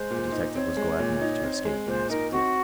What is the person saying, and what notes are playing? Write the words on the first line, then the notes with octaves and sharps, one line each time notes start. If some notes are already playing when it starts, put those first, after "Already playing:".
The detective was glad enough to escape and ask Dick.
Already playing: G#3 C5
A#2
D#4
C4 C#5
G#3
A#2
D#4
C4
G#3
A#2 C5
D#4 A#4
C4 F#4